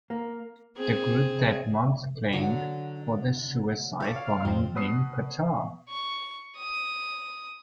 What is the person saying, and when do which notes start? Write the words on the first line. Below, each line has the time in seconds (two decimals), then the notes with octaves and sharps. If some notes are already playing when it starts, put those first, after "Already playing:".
The group that month claimed for the suicide bombing in Qatar.
0.10 A#3
0.76 C4 G#4
2.33 D3 F#3
4.00 A4 C#5 D5
4.16 F5
4.45 F2 C4
4.75 B2 B4 D#6 C7
5.89 C#6
6.57 D#6